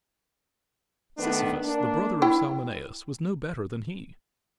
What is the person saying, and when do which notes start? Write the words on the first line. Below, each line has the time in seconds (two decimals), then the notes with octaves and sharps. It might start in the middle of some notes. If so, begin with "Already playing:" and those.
Sisyphus, the brother of Salmoneus, was no better than he.
1.18 D#3 A3 B3 D4 B4
1.64 A#3 D4
2.22 E4 G5